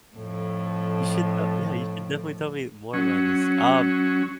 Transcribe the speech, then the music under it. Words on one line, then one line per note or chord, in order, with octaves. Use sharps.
you should, uh Yeah, you should definitely tell me more about this. Um,
F2 A2
F#3 C#4